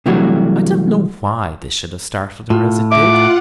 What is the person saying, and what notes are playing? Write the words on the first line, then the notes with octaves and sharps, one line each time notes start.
I don't know why this should have startled her as it did.
C3 E3 F#3 G3 A3 F#4
A2 F4
F4 E5 F#5 D6